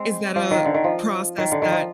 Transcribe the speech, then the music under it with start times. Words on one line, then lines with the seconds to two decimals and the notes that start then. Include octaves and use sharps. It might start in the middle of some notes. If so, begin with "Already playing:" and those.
is that a process that
Already playing: G#3 C4
0.36 F3
0.51 D#3
0.65 D3
0.74 D#3
0.84 F3
1.38 D#3
1.52 D3
1.62 D#3
1.72 F3